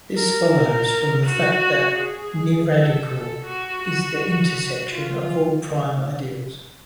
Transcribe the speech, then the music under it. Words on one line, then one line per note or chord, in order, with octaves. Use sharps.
This follows from the fact that nilradical is the intersection of all prime ideals.
A#4
F#4
G#4
A4
A4
F#4
F#4
F4